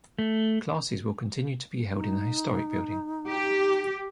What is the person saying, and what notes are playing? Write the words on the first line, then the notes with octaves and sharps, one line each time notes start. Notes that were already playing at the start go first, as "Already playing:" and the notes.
Classes will continue to be held in the historic building.
A3
D#4
G4